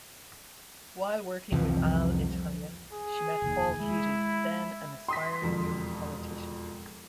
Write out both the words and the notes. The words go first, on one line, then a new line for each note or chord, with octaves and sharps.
While working with Alitalia, she met Paul Keating, then an aspiring young politician.
C2 F2 E3 F3
G#4
F1 D#2
G#3 E4
C6 D#6 B6
E1 F2